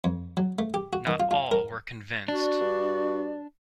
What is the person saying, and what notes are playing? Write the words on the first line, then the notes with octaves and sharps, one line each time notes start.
Not all were convinced.
F2
F#3
A3
G4
F#4
D#3
F4
F4
A#4
D4 F#4 D5
G2